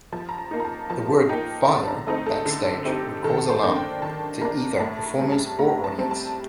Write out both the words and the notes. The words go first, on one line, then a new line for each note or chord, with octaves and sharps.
The word "fire" backstage would cause alarm to either performers or audience.
F3 A5
A#5
A5
A#3 D#4
A#5
A5
F3 A5
A#3 D#4 G5
D3 A5
A#5
A3 C4 D#4 D#5
A4
D3 A4
A3 C4 D#4 G4
D#3 A4
C5
A#3 D4
G5
D#3 A5
A#3 D4 A#5
A2 A5
A#5
G3 C4
A5
A2 A#5
A5
G3 C4
A5